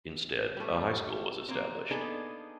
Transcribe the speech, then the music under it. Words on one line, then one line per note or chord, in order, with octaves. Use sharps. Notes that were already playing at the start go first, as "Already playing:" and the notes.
Instead, a high school was established.
G3 A3
A#3 C4
A#3 B3 D4 D#4 G#4 A4